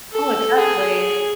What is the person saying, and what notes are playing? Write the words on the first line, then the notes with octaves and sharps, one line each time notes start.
Oh, exactly.
A4
G#4